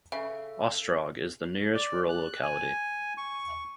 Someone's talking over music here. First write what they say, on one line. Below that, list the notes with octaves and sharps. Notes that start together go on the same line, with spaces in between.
Ostrog is the nearest rural locality.
C#3 A4 E5
D5
F#6
G#5
C#6